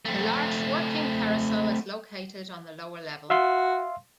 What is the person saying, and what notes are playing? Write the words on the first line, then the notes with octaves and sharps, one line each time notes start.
A large, working carousel is located on the lower level.
A3 C4
F#4 E5 F5 C6